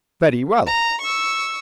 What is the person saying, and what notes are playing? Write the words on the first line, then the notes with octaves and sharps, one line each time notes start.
Very well!
A#5
C#6 E6